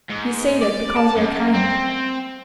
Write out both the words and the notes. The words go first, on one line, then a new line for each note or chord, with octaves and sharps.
'You say that because you are kind.
G#2
D5
A5
F#2
C4